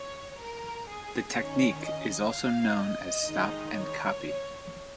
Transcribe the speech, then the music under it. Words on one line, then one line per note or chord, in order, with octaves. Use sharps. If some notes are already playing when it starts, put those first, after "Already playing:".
The technique is also known as stop-and-copy.
Already playing: C#5
A#4
G#4
D#3 C#4 C#5
D#5
F5
D#5
D#3 G#3 D#4
C#5